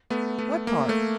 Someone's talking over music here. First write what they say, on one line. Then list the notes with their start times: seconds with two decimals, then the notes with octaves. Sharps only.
"What part?"
0.10 A3 B3
0.39 A3 B3
0.67 A#3
0.89 A3